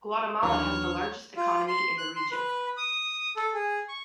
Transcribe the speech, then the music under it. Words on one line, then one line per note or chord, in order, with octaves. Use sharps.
Guatemala has the largest economy in the region.
D#2 E3 F#3 D4 B4 C#5 F6
F4
C6
F#6
C6
B4
D#6
A4
G#4
C#6